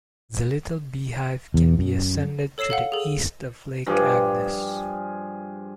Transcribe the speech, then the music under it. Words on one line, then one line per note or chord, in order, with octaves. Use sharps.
The Little Beehive can be ascended to the east of Lake Agnes.
E2
F#2
A4 C#5 E6 C7 E7
A4 F5 F#5
G#4 A4
G2 F3 G#4 D6